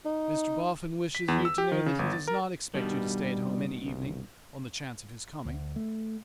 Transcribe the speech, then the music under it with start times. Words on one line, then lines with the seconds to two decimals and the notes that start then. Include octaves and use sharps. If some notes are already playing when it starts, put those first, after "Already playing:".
Mr Boffin wishes you to know that he does not expect you to stay at home any evening, on the chance of his coming.
0.05 D#4
1.15 B6
1.28 E2
1.45 E6
1.58 G4
1.72 D#3
1.86 C#3
1.99 G1
2.13 A6
2.28 A#4
2.74 G2 B2 D#3 G3
3.83 C2
5.45 D2
5.76 A3